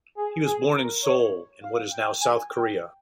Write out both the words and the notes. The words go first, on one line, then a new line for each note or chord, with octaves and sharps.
He was born in Seoul, in what is now South Korea.
G#4
G#4
A#4
C#5
F5
G5
G#5
G5